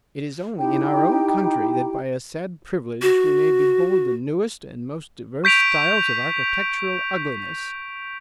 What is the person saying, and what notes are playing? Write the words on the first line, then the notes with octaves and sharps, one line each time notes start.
It is only in our own country that by a sad privilege we may behold the newest and most diverse styles of architectural ugliness.
D#4 E4 G4 G5
F#4
C#6 G6 B6 D7 F7